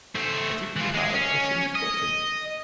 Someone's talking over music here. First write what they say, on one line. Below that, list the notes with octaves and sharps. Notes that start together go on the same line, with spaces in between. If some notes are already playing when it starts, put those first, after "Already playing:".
But if you had I should have forgotten.
A3 C5
E3 F4
G#3 G#4
C#4
D#5